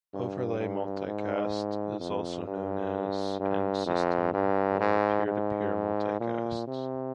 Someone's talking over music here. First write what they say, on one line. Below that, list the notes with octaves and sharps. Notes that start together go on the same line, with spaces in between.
"Overlay multicast" is also known as "End System" or "Peer-to-Peer Multicast".
G2
G2
G#2
F2
G2
G2
F2
G2
G#2
G#2
A#2
C3